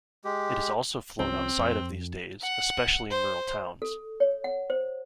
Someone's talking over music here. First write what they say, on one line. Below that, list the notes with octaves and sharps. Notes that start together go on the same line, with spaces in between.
It is also flown outside of these days, especially in rural towns.
G#3 G4
C2 F3 C4 C#4
F2
F#5
C5
A4
C#5
F#5
C5